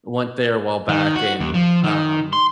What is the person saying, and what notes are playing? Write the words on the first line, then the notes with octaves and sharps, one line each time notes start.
went there a while back, and, um,
D#3
F#4
D#2
F3
D#3
C6